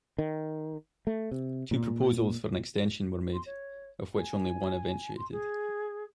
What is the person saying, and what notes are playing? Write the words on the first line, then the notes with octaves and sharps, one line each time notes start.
Two proposals for an extension were made, of which only one eventuated.
D#3
A3
C3
A#2
C6
C#5
G#5
C6
G#4